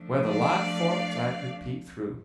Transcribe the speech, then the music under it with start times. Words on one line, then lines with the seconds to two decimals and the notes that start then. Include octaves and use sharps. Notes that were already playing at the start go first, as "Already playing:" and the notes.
Where the log forked I could peep through.
Already playing: F3 A3 D4
0.28 D5 F5